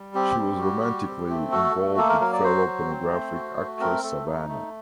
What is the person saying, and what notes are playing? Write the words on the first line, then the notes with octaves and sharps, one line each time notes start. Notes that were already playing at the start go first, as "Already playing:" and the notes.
She was romantically involved with fellow pornographic actress Savannah.
Already playing: G3
C4 G4
G3
F#4
G3
C4
A3
F#4 A4
A3
A#3 A4
A#4
F#3 A#4
D5
F#4 C5
F#3
C4
A3
F#4
A3
C4 A#4
A3 A4
D#4
A3